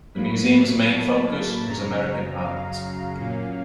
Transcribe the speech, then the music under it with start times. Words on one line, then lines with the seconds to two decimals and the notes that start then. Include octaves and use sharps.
The museum's main focus was American art.
0.14 A2 F#3 A#3 B5
0.90 A5
1.67 F#2 C#3 F#3 A#5
2.43 F5
3.19 A#2 F#3 A#3 C#4